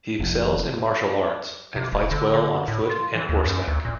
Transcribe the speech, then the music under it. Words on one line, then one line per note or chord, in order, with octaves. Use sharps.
He excels in martial arts and fights well on foot and horseback.
F1
C3
E1
D3
D3
A2
F4
E3
D#2
F#2
D2
A#2